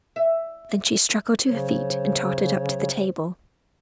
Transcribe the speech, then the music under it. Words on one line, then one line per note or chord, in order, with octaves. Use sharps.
Then she struggled to her feet and tottered up to the table.
E5
C#3 F#3 C5 C#5